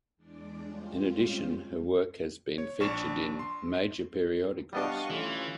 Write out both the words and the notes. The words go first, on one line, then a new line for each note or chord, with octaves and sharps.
In addition her work has been featured in major periodicals.
E2 G#3 D4 D5
G3 G#3 C4 C#4 F4
C#5
A#1 D4 C#6 E7
C6
G3 B3 D4 G4 D#5 F5 C#6
C#3 E3 A3 F4